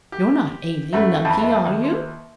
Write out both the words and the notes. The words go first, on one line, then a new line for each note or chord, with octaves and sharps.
You're not ailing, Nunkie, are you?
G4
F#2 A3 B4 E5
F2 E3 A5 B5
D#5 E5
D#2
B4 C6 C#6